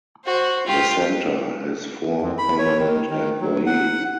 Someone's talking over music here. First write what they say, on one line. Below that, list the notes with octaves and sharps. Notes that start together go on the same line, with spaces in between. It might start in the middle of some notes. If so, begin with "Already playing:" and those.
The center has four permanent employees.
F#4 C5
F4 G4
F2
B5
C#5
D#3
D#3
F#3
F#5